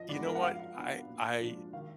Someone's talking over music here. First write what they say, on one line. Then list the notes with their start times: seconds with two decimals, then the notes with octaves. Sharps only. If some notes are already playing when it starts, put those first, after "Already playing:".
You know what? I I i
Already playing: F3 D#5
0.09 G#3 B3 D4 D5
0.25 A#4
0.35 F#5
0.42 F3 F5
0.75 B3 D4
1.08 A#2
1.41 F3 G#3 D4
1.73 D#3 F5